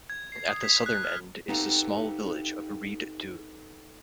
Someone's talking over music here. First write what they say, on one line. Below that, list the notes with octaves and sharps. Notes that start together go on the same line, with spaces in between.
At the southern end is the small village of Rhyd Ddu.
G#6
C7
D#6
B6
F#6
F6
B3 C4 D#4 G4 A4 F5